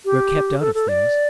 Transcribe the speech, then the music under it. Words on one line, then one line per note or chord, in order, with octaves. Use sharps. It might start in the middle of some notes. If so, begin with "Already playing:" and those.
We're kept out of things.
G4
A4
A4
D5